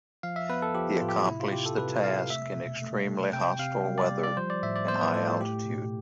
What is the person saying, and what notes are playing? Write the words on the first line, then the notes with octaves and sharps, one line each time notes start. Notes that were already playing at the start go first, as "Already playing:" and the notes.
He accomplished the task in extremely hostile weather in high altitude.
F3 F5
E5
B3 B4
A4
F3 G4
A2 F4
G4
F4
C3 E4
F4
C3 G4
A4
C3 B4
C3 F5
A3 E5
B2
A3
A3
C3 G5
C3 F5
G3
D5
G3
D5
F3 C5
D5
A2 E5
D5
B3 C5
B4
A2 A4
F4
A3 G4
B2